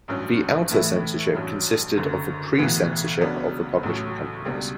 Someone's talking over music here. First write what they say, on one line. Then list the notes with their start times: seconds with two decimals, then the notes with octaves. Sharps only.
The outer censorship consisted of the pre-censorship of the publishing companies.
0.08 A1 G2 F#3 C#4
0.71 A2 E3 A3 E4 B4
1.34 A1 G2 F#3
1.96 F#1 F#2 D3
2.58 B1 A2 E3 B3
3.21 C#2 C#3 F#3 B3 D4
3.83 A1 A2 F#3
4.45 C#2 B2 G3 D4